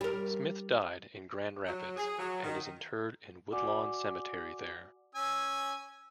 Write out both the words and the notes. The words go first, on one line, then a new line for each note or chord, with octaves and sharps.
Smith died in Grand Rapids and is interred in Woodlawn Cemetery there.
G3 A#4
F#3
G#4
F#3
D#3
F#4 D5 F#5 G#5 D6
C#4 G#5 E6